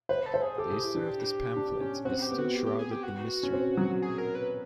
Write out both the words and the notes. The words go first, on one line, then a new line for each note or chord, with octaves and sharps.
The history of this pamphlet is still shrouded in mystery.
B4 C5
A4
C5
G#4
G4 A4
G#4
E4
D4
D4
C#4
C4 F#4
G4
B3
F#4
G4
G4
G#4
G4
F#4
C#4
C4
F#3
G#4
A#4
B4